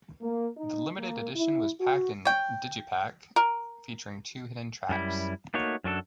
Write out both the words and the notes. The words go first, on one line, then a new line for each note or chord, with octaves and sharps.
The limited edition was packed in digipak, featuring two hidden tracks.
A#3
D#4
A#3
E4
F#4
C#5 G5
A#4
F#2 G3 E4
A3 A#3 D#4 F#4 C#5
F#2 F#3 D4 A4